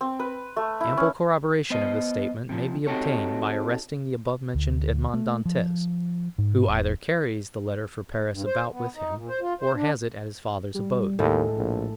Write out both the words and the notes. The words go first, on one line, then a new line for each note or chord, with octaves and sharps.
Ample corroboration of this statement may be obtained by arresting the above-mentioned Edmond Dantes, who either carries the letter for Paris about with him, or has it at his father's abode.
C4
B4
A3
E4
C#4
B3 C5 D#5
C3 F3
C4 D#4 F#4 G4 A4 C#5
D2
A3
F3
G#2
E1
G2
C5
B3
D#4
A#2
C5
F4
C5
D4
G3
D#2 A2 G#3 A4
A#1